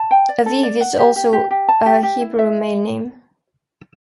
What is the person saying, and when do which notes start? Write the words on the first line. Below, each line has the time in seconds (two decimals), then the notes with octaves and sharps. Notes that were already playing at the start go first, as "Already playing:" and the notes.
Aviv is also a Hebrew male name.
Already playing: A5
0.11 G5
0.29 D5
0.46 A4
0.63 D5
0.81 F#5
0.98 G4
1.16 G4
1.33 G4
1.51 G4
1.69 A5
1.86 G4
2.03 G4
2.21 E4
2.39 E5